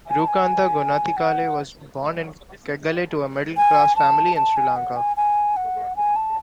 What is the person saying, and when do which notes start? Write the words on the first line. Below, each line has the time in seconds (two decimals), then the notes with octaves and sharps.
Rookantha Gunathilake was born in Kegalle to a middle-class family in Sri Lanka.
0.10 G#5
0.19 A5
0.28 G#5
1.17 F#5
3.57 G#5
3.96 A5
4.36 A5
4.57 G#5
4.76 F#5
4.96 G#5
5.17 G#5
5.56 F#5
5.96 G#5
6.16 A5